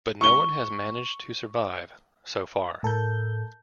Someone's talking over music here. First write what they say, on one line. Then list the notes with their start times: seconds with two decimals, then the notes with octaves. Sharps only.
But no one has managed to survive... so far.
0.21 C#6 G7
2.83 A2 A4 A#4 G6